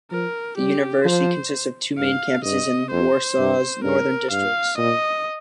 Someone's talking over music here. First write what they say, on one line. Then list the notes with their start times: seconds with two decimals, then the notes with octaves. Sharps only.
The university consists of two main campuses in Warsaw's northern districts.
0.11 F3 A#4
0.58 G3 G4
1.04 F3 C5
1.98 G2 F5
2.45 G2 D#5
2.91 F2 C5
3.38 G2
3.84 G2 A#4
4.31 G2 F5
4.78 A#2 D#5